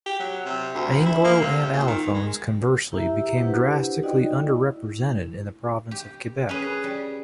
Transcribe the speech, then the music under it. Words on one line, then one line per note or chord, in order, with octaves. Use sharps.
Anglo and Allophones, conversely, became drastically under-represented in the province of Quebec.
G4
F#3
C3
D2
E4
A#3
C3
A#2
D#3
G#3
E4 G4 E5 A#5 E6
D4 E4 G4 B4 C5 F#5
D#4 F#4 D5 D#5 G5
E4
G4
C#4 G#4 B4
G3